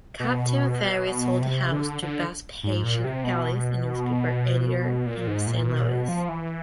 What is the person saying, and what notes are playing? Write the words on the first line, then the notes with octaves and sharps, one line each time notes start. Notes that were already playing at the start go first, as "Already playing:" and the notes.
Captain Ferris sold the house to Vespasian Ellis, a newspaper editor in Saint Louis.
B2
C3
D3
D3
G#2
A#2
C3
B2
A#2
G#2
A#2
B2
A#2
B2
F3
E3